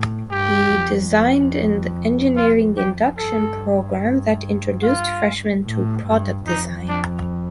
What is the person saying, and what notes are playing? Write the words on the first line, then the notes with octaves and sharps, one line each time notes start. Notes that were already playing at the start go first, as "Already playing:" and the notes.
He design an engineering induction program that introduced freshmen to product design.
Already playing: A2
G2 G4
F2
F4
G4
G2 A4
F4
A2
G2
F2 D#4
D4